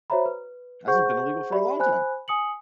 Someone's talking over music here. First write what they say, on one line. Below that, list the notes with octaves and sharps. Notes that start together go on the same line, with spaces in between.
Hasn't been illegal for a long time,
F#4 C5 C#5 E5 A#5 B5
B4
G#4 C5 F#5 C#6 G6
G4 D5 E5 B5
C5 G#5 B5 F#6
G#5 D#6 C#7 F#7